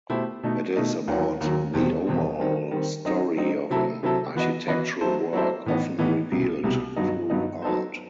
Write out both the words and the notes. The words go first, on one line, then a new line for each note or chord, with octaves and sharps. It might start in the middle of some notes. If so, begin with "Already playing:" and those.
It is about the overall story of an architectural work, often revealed through art.
B2 A3 E4 G4 C5
B2 A3 D#4
B2 A3 D#4
D#2 D#3 F#3
D#2 D#3 F#3
E2 B2 G3 C4
E2 B2 G3 C4
D#3 G3 C4
D#3 G3 C4
F#3 C4 D#4
F#3 C4 D#4
C3 F#3 C4 E4 A4
C3 F#3 C4 E4 A4
E3 B3 F#4 B4 D#5
E3 B3 F#4 B4 D#5
F#3 C4 E4 A4 C5
F#3 C4 E4 A4 C5
A2 E3 B3 D#4
A2 E3 B3 D#4
C2 B2 G3
C2 B2 G3
G2 F#3 B3 D#4
G2 F#3 B3 D#4
F#3 B3 D#4 A4 C5